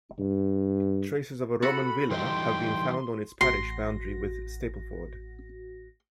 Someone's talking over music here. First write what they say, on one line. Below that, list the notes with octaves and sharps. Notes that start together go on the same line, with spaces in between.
Traces of a Roman villa have been found on its parish boundary with Stapleford.
G2
F#4 A4 F#5 B5
E3 G3 D#4 G5 C6
A1 F#4 C6 A#6